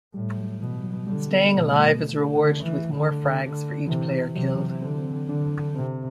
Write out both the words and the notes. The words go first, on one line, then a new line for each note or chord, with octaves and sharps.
Staying alive is rewarded with more frags for each player killed.
A2 G3
F#3
B2 E3
F#3
D3 G3
B3
B2 A3
A3
D3
E3
D3
D3
C3 E3
E3
C3 F#3
E3
F#3
D3 C4
D3 D4
C3 C4